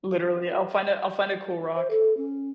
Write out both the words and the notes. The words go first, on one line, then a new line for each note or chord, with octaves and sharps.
Literally, I'll find a I'll find a cool rock.
C5
A4
C#4